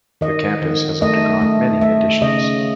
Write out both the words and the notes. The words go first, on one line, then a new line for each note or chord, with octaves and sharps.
The campus has undergone many additions.
D#3 D#5
D#3
A3 D#5
A3
A3 E5
C#3 D#5